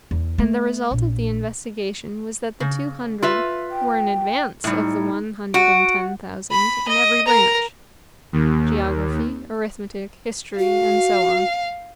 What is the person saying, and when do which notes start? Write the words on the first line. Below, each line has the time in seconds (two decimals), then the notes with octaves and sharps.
And the result of the investigation was that the two hundred were in advance of the one hundred and ten thousand in every branch--geography, arithmetic, history, and so on.
0.11 E2
0.38 A3
0.91 A#1
2.60 C#3
3.22 F4 B4 E5
3.71 G5
4.64 A2 G3 D#4
5.54 F#4 D7
6.51 B5
6.88 D#5
7.26 A#4 A#5
8.33 D#2
10.59 F#4 F5